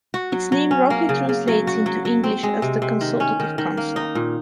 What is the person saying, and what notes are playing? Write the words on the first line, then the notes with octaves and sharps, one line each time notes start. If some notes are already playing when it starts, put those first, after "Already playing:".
Its name roughly translates into English as "the Consultative Council".
F#4
F#3
F#3
C#4
A#3
C#3
C#3
F#3
F#4
F#3
F#3
C4
G#3
C3
C3
D#3
C#4
D#3
D#3
A#3
D#4
A#2